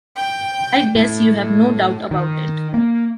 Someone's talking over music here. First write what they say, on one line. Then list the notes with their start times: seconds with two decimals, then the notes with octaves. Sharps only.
I guess you have no doubt about it.
0.16 G5
0.95 A2
2.11 D#3
2.74 A#3